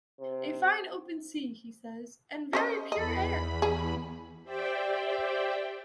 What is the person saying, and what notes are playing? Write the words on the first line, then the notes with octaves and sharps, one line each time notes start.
A fine open sea, he says, and very pure air.
C3
C#4 C5 D#5
E2 D#5 B5
G#4
G4 C5 D5 E5 G5